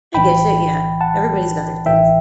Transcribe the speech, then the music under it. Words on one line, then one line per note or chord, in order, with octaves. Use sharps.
I get you, yeah. Everybody's got their things.
B1 A2 E3 G5 B5
F#5 A5
A1 A2 E3 E5 G5